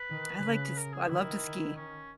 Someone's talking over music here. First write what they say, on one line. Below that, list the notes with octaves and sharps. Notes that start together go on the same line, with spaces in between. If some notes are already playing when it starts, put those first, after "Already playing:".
I like to s I love to ski.
Already playing: B4
D#3
C#3
A#4
G#4
D#3 E4
C#4